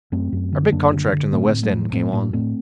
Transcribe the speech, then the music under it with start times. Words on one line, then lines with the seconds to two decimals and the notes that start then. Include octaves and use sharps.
Our big contract in the West End came on.
0.12 F#2 A3 C4
0.32 F#2
0.52 D3
0.72 F#2 A#3 D4
0.92 D3
1.13 D3
1.33 A2 A3 C4
1.54 A2
1.63 F#3 A3
1.73 A2
1.93 A2 A3 C4
2.13 A2 A#3 D4
2.33 A2 A3 C4